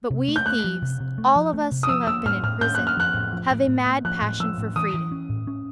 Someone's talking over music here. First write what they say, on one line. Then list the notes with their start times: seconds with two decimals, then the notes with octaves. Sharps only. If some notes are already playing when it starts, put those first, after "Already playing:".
But we thieves, all of us who have been in prison, have a mad passion for freedom.
0.11 C3
0.28 A3
0.36 G6
0.46 A3 F#6
0.64 F3
0.82 C3
1.00 C3
1.18 A3
1.36 F3
1.53 A3
1.72 C3
1.83 D#6
1.89 F3 E6
2.07 A#3 E6
2.25 A2 F6
2.43 A2 F6
2.61 A2 G6
2.75 A#3 F#6
2.87 F6
2.97 F3 F#6
3.14 A2
3.33 F3
3.51 A2
3.68 A2
3.86 A#3
4.05 F3 F#6
4.22 A2
4.40 F3 E6
4.58 A2
4.76 E3 D#6
4.94 E3
5.12 C#4
5.30 A2
5.47 C#4